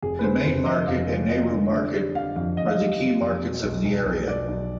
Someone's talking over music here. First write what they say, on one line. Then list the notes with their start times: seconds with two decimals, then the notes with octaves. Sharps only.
The Main Market and Nehru Market are the key markets of the area.
0.02 F1 G#4
0.19 B4
0.24 D3 C5
0.44 F1 C5
0.66 F2 D#5
0.87 F2 F5
1.08 F3
1.29 F3 D#5
1.51 D3
1.72 D3 D5
1.93 G3
2.15 D3 F5
2.36 F2 F5
2.57 F2 D#5
2.67 F5
2.75 G3 D#5
3.00 G3
3.21 F2
3.42 B2
3.63 B1
3.85 B1
4.06 B1
4.27 B1 D5
4.49 B1